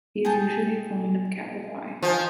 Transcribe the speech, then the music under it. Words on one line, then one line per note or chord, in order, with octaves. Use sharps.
He is a usual client of Cabify.
G#4 G5 A5
F3 D#5 G5 G#5